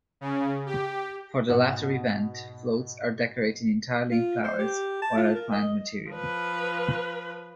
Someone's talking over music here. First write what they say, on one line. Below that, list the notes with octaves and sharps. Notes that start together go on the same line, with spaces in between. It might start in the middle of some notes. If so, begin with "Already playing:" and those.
For the latter event, floats are decorated entirely in flowers or other plant material.
C#3
G4
G#2 B2 F#5
F4
C5
G4
A5
F4
A#4
D#5
F3 B4